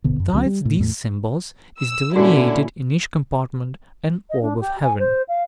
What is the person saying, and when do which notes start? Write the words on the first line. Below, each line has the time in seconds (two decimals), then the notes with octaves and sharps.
Besides these symbols is delineated in each compartment an orb of heaven.
0.04 D1 G1 B2 D3
0.20 F#2
0.33 C#2 D3 F#3 C4
0.46 G3
0.65 A2
0.79 E2 A2
1.80 E6
2.16 A#2 D3 C#4 E4 F#4
4.30 D#5
4.42 D4
4.60 G4
4.82 G#5
4.99 C5
5.28 F5